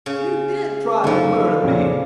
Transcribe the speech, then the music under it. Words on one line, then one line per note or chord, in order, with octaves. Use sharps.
"You did try to murder me!"
C#3
F#1 D3 F3 D#4
F2 A#2 C#3